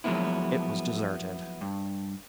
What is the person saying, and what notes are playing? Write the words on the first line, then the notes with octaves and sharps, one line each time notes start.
It was deserted.
F3 F#3 G#3 A#3 B3 E4
G2